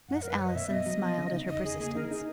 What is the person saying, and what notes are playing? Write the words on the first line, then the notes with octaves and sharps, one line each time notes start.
Miss Allison smiled at her persistence.
F#2 F#5
F#2 A#4
B4
F#2 C#5
D#5
B2 E5
B3 D#5
F#3
B3
C#3
D#4
E2 D#5
C#3 G#4
A#3 G#4
D#4 A#4
D#4 G#4